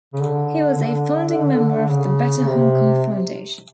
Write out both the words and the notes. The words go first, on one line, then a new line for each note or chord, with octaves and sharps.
He was a founding member of the Better Hong Kong Foundation.
C#3
D3
D3
C#3
C#3
C3